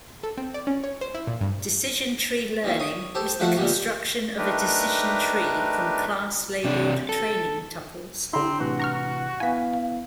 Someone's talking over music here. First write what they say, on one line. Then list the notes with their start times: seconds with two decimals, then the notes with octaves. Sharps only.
Decision tree learning is the construction of a decision tree from class-labeled training tuples.
0.23 A4
0.37 C4
0.54 D5
0.67 C#4
0.84 C#5
1.01 C5
1.14 E4
1.27 A#2
1.41 G2
2.64 D#3 E3 G3 A#3
2.80 C#5 D#6
3.15 G4 A4 C5
3.40 F3 A3 F#4 F#5 A5
3.57 A#2 D3 G3 G#3 G4
4.38 A3 D4 D#4 G4 A#4 B4
6.64 C3 D4
7.09 A4
8.33 D3 C4 D4 E4 G4 A#5 C6
8.60 A2 C3 E3 F#4
8.80 A#5 C#6 F6
9.40 B3 E4 F5 G#5 B6